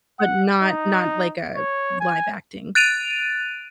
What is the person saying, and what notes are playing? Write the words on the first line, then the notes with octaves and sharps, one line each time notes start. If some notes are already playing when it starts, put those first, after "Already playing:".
but not not like a live acting.
F#5
D#4
C#5
G#5
F#6 A6 D7 D#7 F7